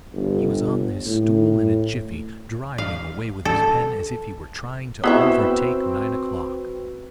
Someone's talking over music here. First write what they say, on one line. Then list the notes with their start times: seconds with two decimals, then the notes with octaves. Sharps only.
He was on his stool in a jiffy; driving away with his pen, as if he were trying to overtake nine o'clock.
0.14 G1
1.06 A2
2.78 F5
3.45 A4
5.04 B3 C4 E4 F#4 B4 E5 E6